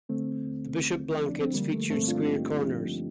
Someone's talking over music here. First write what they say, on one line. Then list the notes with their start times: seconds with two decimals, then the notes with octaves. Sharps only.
The Bishop blankets featured square corners.
0.09 D3 A3 C4
0.45 D2
0.82 D2
1.17 F3
1.29 D4
1.41 C4
1.53 D3 G3 A#3
1.72 A3
1.90 G2 A3 C4
2.08 D4 F4
2.26 G2 D#4 G4
2.63 F3